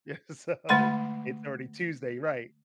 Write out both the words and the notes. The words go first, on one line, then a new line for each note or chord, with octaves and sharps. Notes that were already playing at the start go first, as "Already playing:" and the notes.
Yeah, so it it's already Tuesday, right.
D3 G#3 A3 F#5 B5 C6